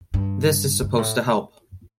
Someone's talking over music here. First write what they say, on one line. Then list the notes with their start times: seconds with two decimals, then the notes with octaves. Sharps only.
This is supposed to help.
0.14 G2
0.82 G2
0.98 A2